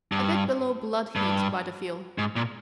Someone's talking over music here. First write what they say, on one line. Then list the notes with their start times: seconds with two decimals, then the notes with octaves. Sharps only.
A bit below blood-heat by the feel.
0.12 G2
1.16 G2
2.18 G#2
2.36 A#2